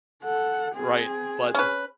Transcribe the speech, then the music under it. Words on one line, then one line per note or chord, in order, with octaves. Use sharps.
Right. But d
A4 F#5
C4 G#4
C#4 B4